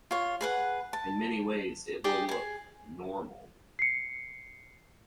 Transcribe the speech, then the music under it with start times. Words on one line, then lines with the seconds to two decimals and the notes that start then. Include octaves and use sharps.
In many ways it will look "normal".
0.11 F4 C#5
0.41 G#4 B4 F#5
0.93 A5
2.04 G4 G#4 D5 G5
2.29 G#4 G#5
3.79 C7 C#7